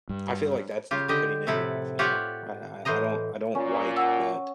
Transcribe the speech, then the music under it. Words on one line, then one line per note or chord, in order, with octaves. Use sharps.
I feel like that's n pretty negative, you know? I I I don't I don't like that
G2
C#3 F4 G4
D3 G4 D#5
A2 C3 F3 E4 A4 F#5
F4 G4 C#5 D5 E5 F#5
A2 E3 C5 D#5 A#5
A#2 C#4
F#5 E6